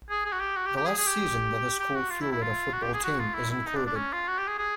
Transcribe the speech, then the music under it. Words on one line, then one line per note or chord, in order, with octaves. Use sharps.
The last season that the school fielded a football team is included.
G#4
G#4
F#4
G4
F#4
G4
G4
G#4
G#4
G4
G4
F#4
F4
E4
E4
F4
F#4
G4
G#4
F#4
F4
E4
E4
D#4
D4
D4
C#4
F4
F#4
G4
G#4
G#4